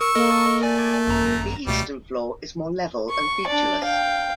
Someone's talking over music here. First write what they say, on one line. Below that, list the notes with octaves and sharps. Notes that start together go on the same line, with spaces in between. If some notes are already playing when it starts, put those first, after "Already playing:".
The eastern floor is more level and featureless.
A#4 C#6 E6
A#3 A4 A#4 D#5
A3 D5 G#5
G#1 F#2 A#5
C#2 B2 G3 A3
C#6
D4 D5
F5 G5